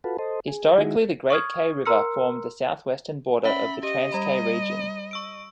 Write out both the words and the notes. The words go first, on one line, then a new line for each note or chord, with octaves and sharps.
Historically the Great Kei River formed the southwestern border of the Transkei region.
F4 F#4 A4 B4
A4 C5 D#5
G#4
D#3 G#3 D#4 E4 F#4 G#4
C#6 D#6 F6 G#6
A#4 A#5 C6 E6 F6 C#7
C#4 E5 B5
G4 D#5
G3 B5
C#6 E6 D7